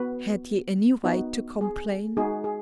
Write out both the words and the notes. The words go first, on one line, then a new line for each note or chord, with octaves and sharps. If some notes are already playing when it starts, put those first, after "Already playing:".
Had he any right to complain?
Already playing: B3 F#4 B4
B3 D#4 F#4
G#4
G#3 D#4 F#4 G#4
G#4